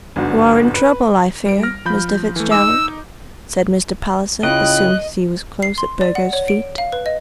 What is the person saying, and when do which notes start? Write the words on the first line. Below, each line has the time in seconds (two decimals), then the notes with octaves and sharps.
"You are in trouble, I fear, Mr. Fitzgerald," said Mr. Palliser, as soon as he was close at Burgo's feet.
0.16 G1 G#2 D3 F#4
0.75 B4
1.46 G3 D7
1.63 F6 A#6
1.85 F3 B5 G6
2.36 E3 A3
2.51 D#4 D6 E6
4.43 C#3 E4 F4 D#5 G5 F#6
5.62 C7
5.78 C6
6.01 D5
6.15 F#5
6.33 C#5
6.48 D7
6.78 F5
6.92 B4
7.06 D#5